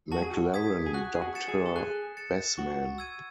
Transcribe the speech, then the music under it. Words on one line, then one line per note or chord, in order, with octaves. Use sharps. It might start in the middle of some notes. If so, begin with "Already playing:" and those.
McLaren dubbed her 'Bess Man'.
F#4 A5
G#4
F#4
D#6 G#6 B6
G#4
F#4 F#6
G#4
F#4
A6 C#7 E7
G#4
A4
G#4 F#6
A6 C#7 E7
F#4 C#6
E6 G#6 D#7